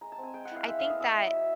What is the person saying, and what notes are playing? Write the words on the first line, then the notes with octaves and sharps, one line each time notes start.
I think that
G#3 A#5
A5
C4
G#5
G#3 G5
F#5
E4
F5
G#3 E5
B3 F5
D#5
G#3 E5
E4
F#3